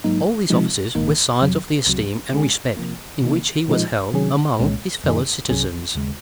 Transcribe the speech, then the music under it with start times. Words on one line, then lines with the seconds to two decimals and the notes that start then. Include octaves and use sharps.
All these offices were signs of the esteem and respect in which he was held among his fellow citizens.
0.04 G#2 F#3 A#3 D#4
0.50 C3 F3 G#3 D#4
0.95 A#1 G#2 D#3 A#3 D#4
1.41 F2 C3 F#3
1.86 C#2 C3 F#3
2.32 C#3 G#3 C#4 G#4
2.77 C3 F3 A#3
3.22 C3 D#3 A#3 D#4
3.68 A#2 F3 G#3 D#4
4.13 C3 D#3 F#3 C#4 G#4
4.59 C2 A#2 G#3 C#4
5.04 F#2 D#3 A#3 D#4 G#4
5.49 C2 C3 F#3 C#4 G#4
5.95 D#2 C#3 G#3